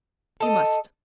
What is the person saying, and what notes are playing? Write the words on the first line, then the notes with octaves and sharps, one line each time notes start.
You must.
A4 D#5